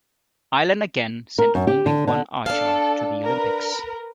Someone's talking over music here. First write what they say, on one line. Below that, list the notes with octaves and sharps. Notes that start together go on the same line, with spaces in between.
Ireland again sent only one archer to the Olympics.
A#4
F#2
G4
D3
D3
D4 A4 F5
A#4 B4